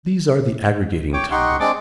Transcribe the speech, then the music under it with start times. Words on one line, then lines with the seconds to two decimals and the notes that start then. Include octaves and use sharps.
These are the aggregating tongues.
1.13 C#5 G5 D6
1.31 D#4 G4 F#5 C6 C#6
1.60 G#3 C4 D4 D5 D6